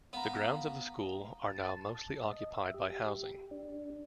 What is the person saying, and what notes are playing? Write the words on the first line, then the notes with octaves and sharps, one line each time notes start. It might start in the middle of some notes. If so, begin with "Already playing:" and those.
The grounds of the school are now mostly occupied by housing.
B3 F5 A#5
A5
D#5
E5
G4
D4